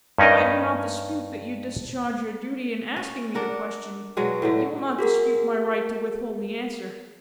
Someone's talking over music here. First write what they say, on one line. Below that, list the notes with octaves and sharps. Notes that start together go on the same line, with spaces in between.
I do not dispute that you discharge your duty in asking me the question; you will not dispute my right to withhold the answer.
G2 C#4 D#4 A#4 D#5
C#4
D4 A#4 F#5
B2 F#3 G#3 F#5
A2 D3 F#3
F#4 G#4 A#4